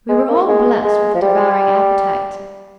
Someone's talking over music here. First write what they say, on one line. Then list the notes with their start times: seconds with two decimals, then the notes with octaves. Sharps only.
We were all blessed with a devouring appetite.
0.09 G#3
0.28 A#3
0.47 G#3
0.84 G#3
1.15 F3
1.22 G3